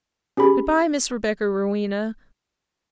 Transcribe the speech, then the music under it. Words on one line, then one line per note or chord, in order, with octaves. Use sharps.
Good-by Miss Rebecca Rowena!
C#4 G4 G#4 B5